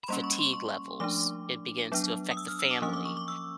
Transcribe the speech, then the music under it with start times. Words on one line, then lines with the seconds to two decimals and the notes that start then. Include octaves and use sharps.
fatigue levels, it begins to affect the family,
0.04 B5
0.08 G3 A#3 C#4 C6
0.24 C#6
0.39 C6
0.54 C#6
1.00 F3 A3 D4 D6
1.92 F#3 B3 D4
2.31 D#6
2.37 E6
2.48 F6
2.59 E6
2.71 D6
2.82 F3 A#3 C#4 D#6
2.93 D6
3.05 C#6
3.17 D6
3.28 E6